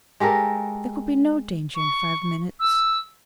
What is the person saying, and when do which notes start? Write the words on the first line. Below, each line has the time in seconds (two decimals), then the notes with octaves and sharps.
There could be no danger in five minutes.
0.20 G#3 G4 A4 A#4
1.75 C#6
2.60 E6